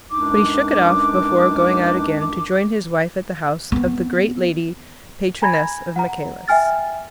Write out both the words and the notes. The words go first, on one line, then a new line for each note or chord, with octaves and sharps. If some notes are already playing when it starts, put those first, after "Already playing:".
But he shook it off before going out again to join his wife at the house of the great lady patroness of Michaelis.
C#2 F#2 D4 D#4 D6
B3 C4
G#5 A#5 B5 G#6 A#6
F#5 A#5
E5 G5 G#5 F6 A6